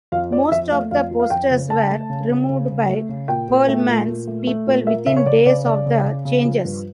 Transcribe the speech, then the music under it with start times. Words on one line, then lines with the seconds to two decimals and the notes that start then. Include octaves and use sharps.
Most of the posters were removed by Pearlman's people within days of the changes.
0.12 F2 F5
0.31 F3 D5
0.51 F2 E5
0.71 A3 F5
0.91 F2 F5
1.11 F3
1.20 F5
1.30 F2 G5
1.50 C#3
1.70 C#3 A5
1.90 A3
2.10 C#3
2.30 C#3
2.49 C#3
2.69 C#3
2.89 A3
3.09 C#3
3.28 A#2 G5
3.48 A#2
3.68 A3
3.88 A#2
4.08 A#2
4.27 A3
4.47 A3
4.67 A#2
4.86 A#3 E5
5.06 C#3 E5
5.17 C#5
5.26 C#3 D5
5.46 C#3 D5
5.66 C#3 D5
5.86 C#3
6.06 C#3
6.25 C#3
6.45 F3
6.65 G2